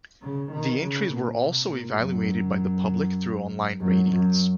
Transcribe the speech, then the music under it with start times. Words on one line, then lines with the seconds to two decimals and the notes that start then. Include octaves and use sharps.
The entries were also evaluated by the public through online ratings.
0.22 C#3
0.51 D#3
0.82 C#3
1.11 A#2
1.42 C3
1.71 A#2
2.01 F#2
3.80 F#2
4.10 F#2